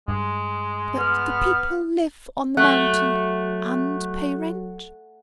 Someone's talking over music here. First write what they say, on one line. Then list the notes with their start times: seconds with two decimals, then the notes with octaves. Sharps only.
"But the people live on the mountain and pay rent?"
0.08 G2 G#3
0.98 B3 F6
2.57 F#3 A3 F#5